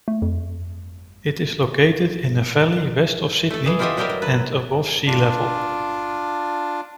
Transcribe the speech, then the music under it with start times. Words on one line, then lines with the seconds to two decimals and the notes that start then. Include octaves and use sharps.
It is located in a valley west of Sydney and above sea-level.
0.08 A3
0.22 F2
3.50 A3 A4
3.66 E3 G#4
3.79 E4 F4 G4 A4 D#5 E5
3.97 F#3 G3 G4 A4 A#4 E5
4.10 F#3
4.22 B4 A5
5.07 D4 F4 D5